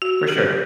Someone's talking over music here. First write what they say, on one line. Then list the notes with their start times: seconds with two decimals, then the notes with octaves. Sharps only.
For sure.
0.02 F#4
0.29 G4